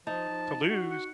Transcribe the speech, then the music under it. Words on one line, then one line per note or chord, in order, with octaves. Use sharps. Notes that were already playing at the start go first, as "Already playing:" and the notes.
to lose.
F3 D#4 A5
F3
F#4
F#5